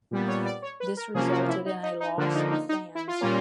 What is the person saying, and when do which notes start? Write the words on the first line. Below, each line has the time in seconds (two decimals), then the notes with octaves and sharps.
This resulted in a loss of fans.
0.11 A#2 G3 B3
0.28 C#5
0.45 D5
0.62 C#5
0.80 B4
0.97 A#4
1.14 C3 F3 A#3 C#4 G#4
1.31 F#4
1.49 E4
1.66 D#4
1.83 D#4
2.00 D#4
2.18 D3 F3 A#3 D4
2.35 D#4
2.51 D#4
2.69 D#4
2.95 E4
3.08 F4
3.21 A#2 G3 A#3 C#4